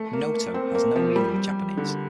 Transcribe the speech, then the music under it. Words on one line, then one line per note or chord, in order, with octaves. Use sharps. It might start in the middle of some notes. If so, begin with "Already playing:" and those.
"Noto" has no meaning in Japanese.
Already playing: A3
A#3
A#3
C4
A#3
F3
G3
D3